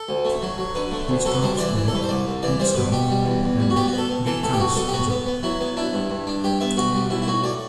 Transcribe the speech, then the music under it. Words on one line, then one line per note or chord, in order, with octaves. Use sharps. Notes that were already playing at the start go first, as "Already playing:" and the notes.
He stops there, looks round, and beckons Jo.
Already playing: A4
D2
A3
F#3
F#3
D3 B4
A3
D2
F#3 A4
B4
G3 C5
E3 D5
E3
A4
C2 B4
C5
C2 D5
C2
E3 D5
G3 C5
B2 B4
B2 G4
G3
E2
E2
G3
F#4
B3 G4
F#4
B3
A4
B3
E3 A4
A2 A4
G4
B1 F#4
B1 A4
G4
B3 F#4
B3
B3
F#3 E4
B3
D4 E4
G2
G2
D4
G2 G4
B3 E5
B1 F#4
G3
B1 E4
E4
A2 F#4
A2 D5